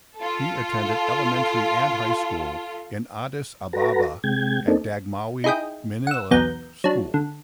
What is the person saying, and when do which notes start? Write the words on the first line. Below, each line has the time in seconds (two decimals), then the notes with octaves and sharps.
He attended elementary and high school in Addis Ababa at Dagmawi Minilik School.
0.17 F4 A4
3.73 F#4 A4 B4 A#5
4.24 C3 G#3 G5 G#6
4.67 A#3 C4 D4 D#4 A4
5.44 D#4 E4 G#4 D#5 G5
6.07 F#5 E6
6.31 B1 E2 B3 A#5 G6
6.84 F#3 D4
7.14 D3